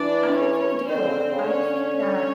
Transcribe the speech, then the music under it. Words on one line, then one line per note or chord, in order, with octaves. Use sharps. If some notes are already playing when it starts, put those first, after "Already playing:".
I definitely do. I think that,
Already playing: E3 D4 D5
C#4 C#5
D#3 C4 C5
D3
C#3
D3
C#3
D3 C#4 C#5
C#4 C#5